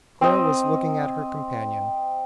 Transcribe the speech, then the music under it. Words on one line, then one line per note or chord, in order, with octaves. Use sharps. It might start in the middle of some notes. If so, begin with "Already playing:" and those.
Claire was looking at her companion.
C4 D#5